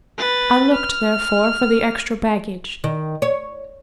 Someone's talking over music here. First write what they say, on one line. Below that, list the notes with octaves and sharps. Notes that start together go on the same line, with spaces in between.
I looked, therefore, for the extra baggage.
B4 A6
F6
D#3
C#5